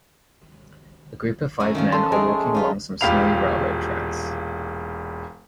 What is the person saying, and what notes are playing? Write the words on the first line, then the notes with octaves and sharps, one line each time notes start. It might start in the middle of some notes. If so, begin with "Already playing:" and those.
A group of five men are walking along some snowy railroad tracks.
F#2 C#4 E4
D#3 F3 C#4
C#4 A4 C6
G#3 A3 G#4 G5 A#5
D#4 F4 B4
E1 A#2 G4 F5 B5 F7